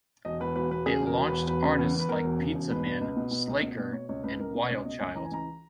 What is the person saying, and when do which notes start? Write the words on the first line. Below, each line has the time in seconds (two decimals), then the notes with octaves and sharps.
It launched artists like Pizzaman, Slacker, and Wildchild.
0.25 E1 D#5
0.40 E2 B4
0.56 E1 B4
0.70 E1 B4
0.86 C#3 G#4
1.02 E1 A#4
1.17 E1
1.28 E2 B4
1.48 E1 B4
1.63 C#3
1.79 E2
1.94 E2
2.00 B4
2.09 E2 A#4
2.24 E1
2.40 C#3
2.55 E1
2.71 B2 B4
2.85 B2
3.01 C#2
3.17 B2
3.31 B2
3.47 C#2
3.62 B2
3.78 B2
3.93 B2 C#5
4.09 C#2 C#5
4.23 C#2 B4
4.39 C#2 A#4
4.55 B2
4.70 C#2 C#5
4.85 B2 D#5
5.00 C#2 G#5
5.16 E3 A#5
5.25 G#5
5.31 C#2 A#5